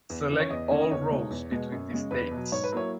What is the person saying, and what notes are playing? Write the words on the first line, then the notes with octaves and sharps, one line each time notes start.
Select all rows between these dates.
E2
C#3 E3
C#5
E2 D#5
D#3 A#3 C#4
D#5
E2 C#5
B2 G#3 D#4
E2
B2 G#3 B3
F#2
C#3 G#3
E2 B4
B2
F#3
G#2 C#5
B4
F#3 A#3 E4 C#5